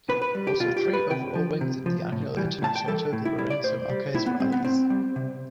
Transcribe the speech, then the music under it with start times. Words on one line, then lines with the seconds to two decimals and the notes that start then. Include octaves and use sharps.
Also three overall wins in the annual International Total Lourenco Marques Rallies.
0.09 B2 B4
0.22 B4
0.35 G3
0.47 G4
0.60 B2 F4
0.77 G4
0.85 G3
0.93 B4
1.10 C3 G5
1.35 F3
1.61 C3
1.86 F3
2.12 A2
2.37 E3 G3
2.62 A2 A5
2.76 G5
2.88 E3 G3 A4
3.13 A2
3.25 E4
3.38 G3 E4
3.50 D5
3.63 A2 C5
3.90 G3
4.14 A2 E4
4.26 B3
4.40 G3 C4
4.52 B3
4.65 A2 C4
4.90 G3
5.16 C3